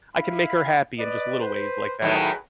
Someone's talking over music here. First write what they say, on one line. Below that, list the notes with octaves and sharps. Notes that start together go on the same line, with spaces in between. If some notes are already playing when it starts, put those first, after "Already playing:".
I can make her happy in just little ways like that,
E4 F5 B5
B4 D5 D#5
B4 C5
A2 D#3 F#3 G#4 B4